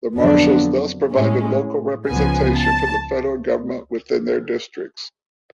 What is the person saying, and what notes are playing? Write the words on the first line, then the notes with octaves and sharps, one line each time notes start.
The marshals thus provided local representation for the federal government within their districts.
F2 D3 F#3 B3 D4
A2 G#3 C#4
C#2 C#3 F3 B3 G#5
A5